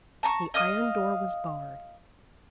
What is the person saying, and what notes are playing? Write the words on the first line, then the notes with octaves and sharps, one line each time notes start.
The iron door was barred.
A5 A#5 C#6
D#5 F5 D#6